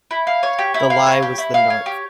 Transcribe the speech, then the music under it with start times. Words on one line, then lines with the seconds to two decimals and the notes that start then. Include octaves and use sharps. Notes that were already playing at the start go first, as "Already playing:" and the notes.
The Lie was the Nark.
0.11 E4
0.27 F5
0.43 C#5
0.59 G4
0.74 E4
0.90 F5
1.06 C#5
1.22 G4
1.38 E4
1.54 F5
1.70 C#5
1.86 G4